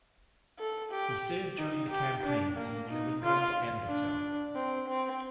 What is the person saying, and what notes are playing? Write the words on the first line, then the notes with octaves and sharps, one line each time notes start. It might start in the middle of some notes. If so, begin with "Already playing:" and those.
He served during campaigns in New England and the South.
A4
G4
D#4
G4
D4
A#3
D#4
F4
D4
C4
C4